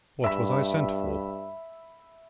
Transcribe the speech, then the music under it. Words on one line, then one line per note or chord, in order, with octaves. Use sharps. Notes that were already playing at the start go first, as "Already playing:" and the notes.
"What was I sent for?"
G2 E5 B5